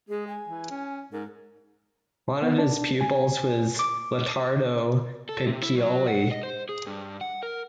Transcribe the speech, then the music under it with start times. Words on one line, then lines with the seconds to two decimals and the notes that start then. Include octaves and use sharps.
One of his pupils was Litardo Piccioli.
0.09 G#3 G#4
0.28 G#5
0.48 E3
0.70 C#4
1.12 G#2 A#4
2.42 B3
2.58 D4
3.01 G#5
3.79 D6
5.29 A4
5.47 C3
5.63 E4
5.78 F#3
6.07 F#5
6.31 D#5
6.43 C5
6.69 G#4
6.87 G2
7.21 F#5
7.43 A#4